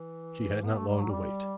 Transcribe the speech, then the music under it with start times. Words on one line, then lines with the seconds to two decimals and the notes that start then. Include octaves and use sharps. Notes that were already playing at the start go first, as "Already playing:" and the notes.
She had not long to wait.
Already playing: E3
0.65 B3
0.77 A3
0.88 G3
1.00 F#3
1.11 G3